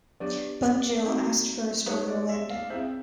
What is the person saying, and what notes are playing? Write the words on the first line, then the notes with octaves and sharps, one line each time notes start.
Bunjil asked for a stronger wind.
F#3 B3 D4 G4 B4 D5
G#3 C4 D#4 F#4
G3 A#3 D#4 G4 B4 C#5
D5
E5
F5
C4 E4 G#4 C5 E5 F5